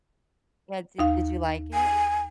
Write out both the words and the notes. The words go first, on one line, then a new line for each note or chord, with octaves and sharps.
Yeah, did did you like it?
D#2 D#4 F5
G#5